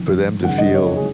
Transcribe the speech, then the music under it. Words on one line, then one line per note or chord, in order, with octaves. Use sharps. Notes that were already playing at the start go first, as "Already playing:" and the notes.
for them to feel,
Already playing: F1 F2 D#3
G#1 F#2 C#3 F#5
D#5
C#5
G#4